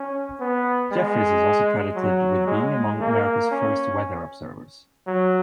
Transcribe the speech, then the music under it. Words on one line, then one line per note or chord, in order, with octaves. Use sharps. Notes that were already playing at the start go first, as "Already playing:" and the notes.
Jeffries is also credited with being among America's first weather observers.
Already playing: C#4
B3
G#3
F#3
G#3
A#3
C#4
F#3